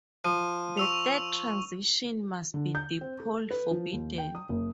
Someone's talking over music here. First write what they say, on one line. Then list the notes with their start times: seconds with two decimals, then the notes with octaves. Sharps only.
The third transition must be dipole forbidden.
0.25 F3 D#7
0.77 C#6 E6 F7
2.54 D3
2.75 G6
3.01 C4
3.20 A4
3.51 B4
3.71 F3
3.93 D#2
4.18 G5
4.35 D#6
4.49 F#1